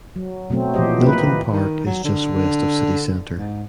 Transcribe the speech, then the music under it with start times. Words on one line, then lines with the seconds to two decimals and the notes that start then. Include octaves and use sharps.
Milton Park is just west of city centre.
0.16 F#3
0.50 B2 F#3 A3 C4
0.74 A#2 E3 F3 G4 C5 D#5
1.03 A#3 D#4 B4
1.27 D#3
1.52 D#3
1.86 F#3
2.04 D3
3.37 G#2